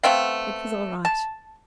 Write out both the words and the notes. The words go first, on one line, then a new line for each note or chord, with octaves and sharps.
"It was all right."
A3 B3 C4 F5
A5